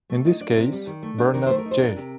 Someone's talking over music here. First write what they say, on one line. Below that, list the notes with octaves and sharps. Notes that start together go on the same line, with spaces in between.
In this case, Bernard J.
A3
D#4
D4 D5
C3
G3
D#3
A3
D4
D#3 A#4
A3 C5
A#4
D#4
C5
D4 A#4
C3